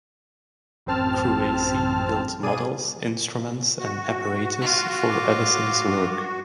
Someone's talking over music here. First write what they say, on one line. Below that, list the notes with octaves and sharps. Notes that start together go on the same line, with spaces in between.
Kruesi built models, instruments, and apparatus for Edison's work.
A1 F#2 C4 A5 F6
B2 G#4 D5 D#7
F#4
F4
D6